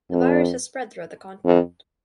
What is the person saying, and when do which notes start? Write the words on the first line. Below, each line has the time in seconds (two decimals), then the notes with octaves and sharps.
The virus has spread throughout the continent.
0.11 F2
1.45 F2